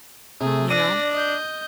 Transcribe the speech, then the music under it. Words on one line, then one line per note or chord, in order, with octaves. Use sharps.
you know?
C3 A3 G#4
D4 D5 A#6 D#7
D#5 G6